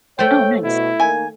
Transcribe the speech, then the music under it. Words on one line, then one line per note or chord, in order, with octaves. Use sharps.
Oh, nice.
A3 C5 C#5 G5
B2 E4
D#3 A#3 G#5